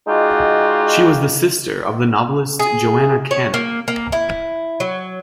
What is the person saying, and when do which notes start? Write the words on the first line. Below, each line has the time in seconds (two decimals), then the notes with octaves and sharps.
She was the sister of the novelist Joanna Cannan.
0.08 G#3 D#4 F4 F#4 D5 G5
2.60 G#4
3.31 C#5
3.54 A#3
3.88 A#3
4.12 E4
4.80 F#3